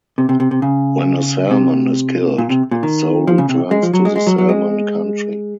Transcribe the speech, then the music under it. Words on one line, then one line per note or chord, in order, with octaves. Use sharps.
When a salmon is killed, its soul returns to the salmon country.
C3
C3
C3
C3
C#3
C3
A#2
C3
A#2
D#3
F3
C#3
C3
G#3
F3
F#3
G#3
G#3
F#3
F#3
G#3